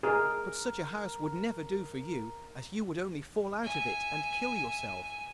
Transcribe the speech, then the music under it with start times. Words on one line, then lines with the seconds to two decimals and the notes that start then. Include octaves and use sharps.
'But such a house would never do for you, as you would only fall out of it and kill yourself.
0.03 G#4 A#4
3.63 E5 G#5